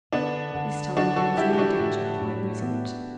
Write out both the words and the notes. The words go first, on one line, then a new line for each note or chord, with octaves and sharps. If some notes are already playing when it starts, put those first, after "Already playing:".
This time there was no danger of my losing it.
D3 B3 D4
D3
F#3 D4 F#4
F#4 A4
D3 E4 G4
G4
D4 F#4
A2
A2
B3